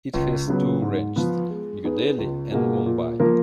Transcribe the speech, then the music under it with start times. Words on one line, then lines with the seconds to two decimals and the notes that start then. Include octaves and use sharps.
It has two ranges: New Delhi and Mumbai.
0.14 C#2
0.48 C#3 F#3 B3
0.82 G#2
1.16 F3 B3
1.50 G#3
1.84 B3 D#4 G#4 B4
2.18 C#2
2.52 B2 A#3 F4 G#4
2.86 A#2
3.20 F3 A#3 F4 A#4